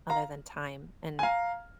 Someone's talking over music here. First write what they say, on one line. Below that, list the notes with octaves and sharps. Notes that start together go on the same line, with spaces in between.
other than time, and,
F5 A#5
G#5
F5 A#5